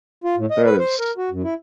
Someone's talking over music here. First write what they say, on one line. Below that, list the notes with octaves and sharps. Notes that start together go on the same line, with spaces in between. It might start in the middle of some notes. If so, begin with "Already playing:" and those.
that is
F4
A2
D#5
B4
C5
A#4
F#4
F#2
E4